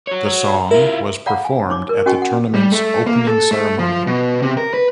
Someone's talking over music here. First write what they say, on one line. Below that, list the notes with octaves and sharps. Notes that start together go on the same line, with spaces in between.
The song was performed at the tournament's opening ceremony.
F#4 C#5
E4 F4 A#4
D5 F5 F#5 A#5 B5
G#5
D#4 C#5 C#6 D6
A#4
C#4 F#4 D#5 G5 G#5 C#6
F#5
G3
A3
A#3
A4
A3
F3
B2
C3
A#4
B4